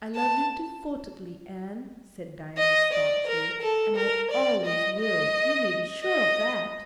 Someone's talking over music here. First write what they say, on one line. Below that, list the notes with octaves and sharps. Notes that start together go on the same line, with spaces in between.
"I love you devotedly, Anne," said Diana stanchly, "and I always will, you may be sure of that."
A5
D#5
D5
A#4
A4
A#4
D5
D#5
D#5
D#5